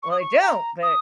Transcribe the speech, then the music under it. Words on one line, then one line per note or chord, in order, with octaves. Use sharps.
"Well, I don't," but
C#6
D#6
C#6
A#5
D#6